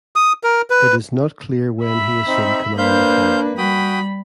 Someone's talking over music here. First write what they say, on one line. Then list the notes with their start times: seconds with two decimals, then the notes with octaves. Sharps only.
It is not clear when he assumed command of her.
0.16 D#6
0.44 A#4
0.70 B4
1.84 E5 B5
2.27 C4 D#4
2.78 A#3 D4 B4 C5 F5 G6
3.58 G3 F#4 G5 B5 D#6